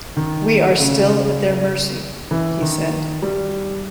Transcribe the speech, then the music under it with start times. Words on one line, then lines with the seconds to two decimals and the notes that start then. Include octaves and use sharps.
"We are still at their mercy," he said.
0.16 D#3
0.70 D#3
0.78 C#3
2.31 E3
2.62 D#3
3.22 G3